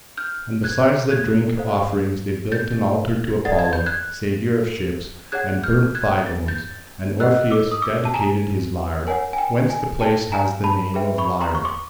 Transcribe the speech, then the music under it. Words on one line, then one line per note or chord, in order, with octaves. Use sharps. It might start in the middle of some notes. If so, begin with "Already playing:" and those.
And besides the drink offerings they built an altar to Apollo, saviour of ships, and burnt thigh bones; and Orpheus dedicated his lyre; whence the place has the name of Lyra.
F6 G6
F#6 G#6
F#6 G#6
A4 C5 F5
G6 A6
A4 D5 F#5 A6
G#6
G6
F#6 G#6
G#4 C#5 F#5 F#6 G#6
F6 G6
F#6 G#6
A6
G6 A6
A#4 D#5 F#5 E6 F#6
D6 E6
D#6
D6 E6
A5
G#5 A#5
A#4 C#5 F#5 G#5
G#5
G5
G#5
G5 A5
G#5 A#5
A5 B5
G#4 B4 E5 G5
B5 C#6
A#5 C6
C#6
C6 D6